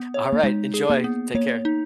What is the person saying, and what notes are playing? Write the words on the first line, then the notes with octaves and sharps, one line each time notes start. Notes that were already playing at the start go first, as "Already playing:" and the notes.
All right, enjoy. Take care.
Already playing: B3
C#5
A#3
G#3 D#4
G#4
A#3
B3
A#3 C#5
D#4